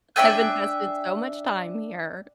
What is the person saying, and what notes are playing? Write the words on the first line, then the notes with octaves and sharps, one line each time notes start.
I've invested so much time here.
D4 E5 G5 G#5